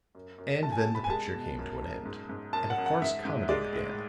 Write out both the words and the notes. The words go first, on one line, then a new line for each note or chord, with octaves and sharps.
And then the picture came to an end, and a farce-comedy began.
F#2
F#2
A3 A5
G#5
A5
B2
B5
G#5
G#3 A5
B2
F#2
F#2
G#2
G#2
F#2 A5
F#5
F#2
F#5
G#2 E5
G#2
G#3 D5
A2